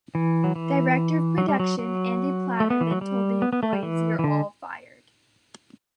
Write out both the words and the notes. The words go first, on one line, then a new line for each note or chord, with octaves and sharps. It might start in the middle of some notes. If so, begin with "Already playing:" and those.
Director of Production, Andy Platter, then told the employees You're all fired.
E3
F#3
E3
F#3
G3
F#3
F#3
A3
B3
E3
F#3
G3
B3
B3
A3
G3
E3
E3
D3